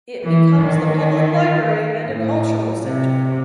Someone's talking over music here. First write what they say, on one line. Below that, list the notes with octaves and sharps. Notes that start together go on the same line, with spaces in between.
It becomes the Public Library and a cultural center.
E3
D#3
A2
C3